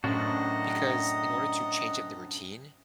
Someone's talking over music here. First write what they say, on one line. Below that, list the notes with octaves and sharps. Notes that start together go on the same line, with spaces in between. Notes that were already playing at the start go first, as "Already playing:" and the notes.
Because in order to change up the routine,
F#2 A2 C4 D4 F#4 D#5 F#5 A#5